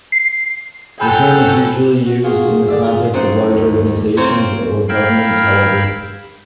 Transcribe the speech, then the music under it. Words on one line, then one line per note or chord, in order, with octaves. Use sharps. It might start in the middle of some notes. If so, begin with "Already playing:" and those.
The term is usually used in the context of large organizations or governments, however.
C7
F#3 A4 G5 G#5 B5 G6
F#4
F4 F#4 G#4
D3 D5 E5
F4 G#4 A#4
F#2 C4 D#4 F#5
D#2
C4 F4 A#4 C#5
A#4 F5 G5 B5 E6 G#6